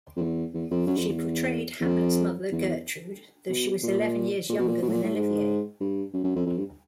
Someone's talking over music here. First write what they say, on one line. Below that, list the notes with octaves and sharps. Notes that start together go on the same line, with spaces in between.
She portrayed Hamlet's mother, Gertrude, though she was eleven years younger than Olivier.
F2
E2
E2
F2
F#2
F2
E2
E2
F2
E2
B2
A#2
A#2
B2
A#2
B2
A2
A#2
A2
G#2
G2
F#2
F#2
F2
F2
G2